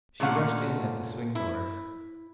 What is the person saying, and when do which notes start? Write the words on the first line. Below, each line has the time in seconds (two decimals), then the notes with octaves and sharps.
She rushed in at the swing doors.
0.20 A#2 D3 A3 C#4 F5 F#5
1.35 E4